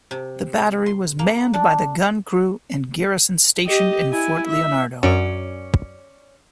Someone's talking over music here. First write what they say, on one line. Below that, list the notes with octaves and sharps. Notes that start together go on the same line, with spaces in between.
The battery was manned by the gun crew and garrison stationed in Fort Leonardo.
C3
C6
A#3
D4
G4 D#5
E4 G#5
E5
F#2 C#4 D5